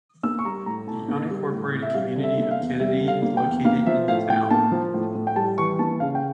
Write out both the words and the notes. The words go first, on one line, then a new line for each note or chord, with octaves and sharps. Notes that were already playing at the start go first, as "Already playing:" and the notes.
The unincorporated community of Kennedy is located in the town.
A#3 E6
C#6
G3 A#5
A2 A#5
A2 A5
A#3
G3
A2
A2
E5
G3 F5
D3
E5
A#3 E5
F5
E2
G3 E5
D3
F5
A#3
G5
E2
A#3 F5
F3 E5
A2 F5
A2 G5
A#3 A5
F3
A2
A2
G5
G3 A5
E3 C#6
A#3 A5
C#3 F5
G5